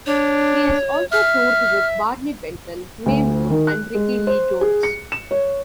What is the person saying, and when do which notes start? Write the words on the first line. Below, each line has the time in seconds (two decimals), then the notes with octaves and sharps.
He has also toured with Barney Bentall, Mae Moore and Rickie Lee Jones.
0.07 D4 C#5
1.11 E5 F6
3.06 D2
3.50 D#3
3.67 F#6
3.95 G#3
4.27 C5
4.61 G#4
4.83 C#7
5.12 E7
5.31 C#5